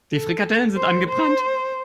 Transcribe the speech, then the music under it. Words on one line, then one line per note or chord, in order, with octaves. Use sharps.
Die Frikadellen sind angebrannt.
A4
C5
C5